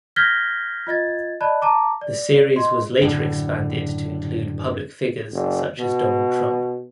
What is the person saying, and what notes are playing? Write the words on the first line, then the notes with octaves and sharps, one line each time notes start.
The series was later expanded to include public figures such as Donald Trump.
F6 G6 G#6 A#6 B6 G7
F4 D#5 G#6 A6
D5 D#5 A5 B5 F#6
A5 A#5 D6
D5
D#5 C6
F#1 A2 D3
F#1
B2